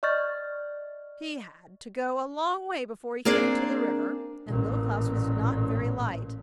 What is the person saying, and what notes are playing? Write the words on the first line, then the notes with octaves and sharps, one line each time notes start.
He had to go a long way before he came to the river, and Little Klaus was not very light.
D5 D#5 C#6 F6 G6 A6
A#3 C4 D4 G#4 A#4 D5
A1 A#2